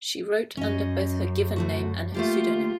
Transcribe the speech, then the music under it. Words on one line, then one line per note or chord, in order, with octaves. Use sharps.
She wrote under both her given name and her pseudonym.
F#2 C#4 D#5
D2 A3 F#4
A3 A#3 F4 G4